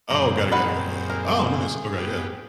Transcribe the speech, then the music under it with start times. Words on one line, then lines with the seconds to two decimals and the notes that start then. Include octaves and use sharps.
Oh, got it, got it, yeah, yeah. Oh nice, okay, yeah.
0.10 F#2 A#2 C4 G#4 A#5
0.52 D#3 B4 F#5
1.10 A#4
1.98 B3 G4